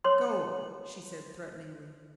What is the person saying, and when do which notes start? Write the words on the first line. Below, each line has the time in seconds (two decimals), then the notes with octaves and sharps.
"Go!" she said threateningly.
0.04 C#5 C6